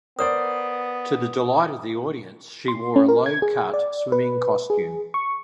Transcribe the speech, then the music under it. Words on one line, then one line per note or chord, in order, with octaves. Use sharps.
To the delight of the audience she wore a low-cut swimming costume.
B3 A#4 C5 D5 D#6
C6
C#4
A#4
G#6
G#4
D5
B4
G#4
C#6